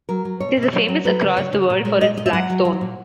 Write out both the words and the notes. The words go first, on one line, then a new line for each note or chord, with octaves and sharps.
It is famous across the world for its Black stone.
F#3 A#4
F#3
B2 C#5
B2
E5
F#3 C#5
F#3
F#3 B4
C#3
C#3 C#5
C#3
A#2
G#3
A#2 D#5
G#3 D#5
E5
F#3 F#5
F#3
F#3
A#2